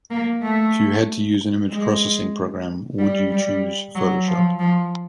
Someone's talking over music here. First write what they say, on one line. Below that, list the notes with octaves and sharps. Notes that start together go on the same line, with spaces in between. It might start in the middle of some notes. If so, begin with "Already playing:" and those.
If you had to use an image processing program, would you choose Photoshop?
A#3
A3
G#3
G3
G3
F#3
F3
F3